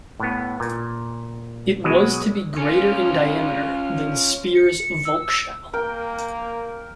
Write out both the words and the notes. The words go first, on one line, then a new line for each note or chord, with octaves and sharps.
It was to be greater in diameter than Speer's Volkshalle.
A2 B3
A#2
B2 F#3 G#3
C#4 F4
C#7
E6
A#3 A#4 G5